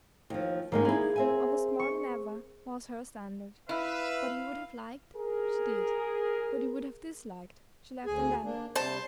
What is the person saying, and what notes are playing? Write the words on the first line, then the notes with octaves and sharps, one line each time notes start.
He, almost more than ever, was her standard. What he would have liked, she did; what he would have disliked, she left undone.
D#2 F3
G#2 D#3 G#3 A#3
D#4 E4 G#4
C4 E5 G#5
C#6
E4 B4 E5 F5
G#4 A#4
D2 G#4 G#5
A#3 D4
C3 G3 C5 A5